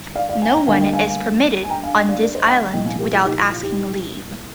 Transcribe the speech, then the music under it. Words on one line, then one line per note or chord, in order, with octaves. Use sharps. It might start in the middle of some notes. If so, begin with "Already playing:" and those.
No one is permitted on this island without asking leave.
Already playing: G1
D5 F5
D5 F5
F5 G#5
G5 A#5
D2 D3 G3 A#3 F5 G#5
D#5 G5
F5 G#5
F5 G#5
G#5
G5 A#5
F5 G#5
D#5 G5
D5 F5
A#4 D5
C5 D#5
D#5 G5
C2 A#2 F3 A#3 D#5 G5
F5 G#5
G4 A#4
F4 G#4
D#4 G4
F4
F4
D#4 G4